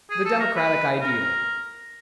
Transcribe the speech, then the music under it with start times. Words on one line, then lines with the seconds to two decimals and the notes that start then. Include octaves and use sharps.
The Democratic Ideal.
0.10 G#4
0.25 A4
0.40 A#4
0.56 B4
1.02 A#4